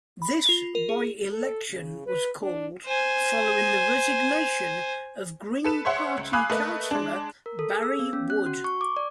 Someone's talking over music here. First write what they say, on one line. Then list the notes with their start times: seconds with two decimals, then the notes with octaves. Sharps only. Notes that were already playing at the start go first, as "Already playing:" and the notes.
This by-election was called following the resignation of Green Party councillor Barrie Wood.
0.22 B5
0.49 F4
0.75 A#4
0.89 G#4
1.31 A4
1.70 C#3
2.06 B4
2.41 D4
2.86 C5 G#5
5.64 A4 B4 E7
5.85 C5 C#5 E5 F#5 C6
6.17 C#2
6.33 F5 G#5 B5 D6 D#6 F#6
6.50 A3 A#3 B4 D#5
6.91 G#3 D4
7.46 A#4
7.59 A4
7.70 G#4
7.83 E6
7.99 B3
8.13 C#4
8.30 F#6
8.46 F#4
8.64 C#6
8.81 D6
8.96 D5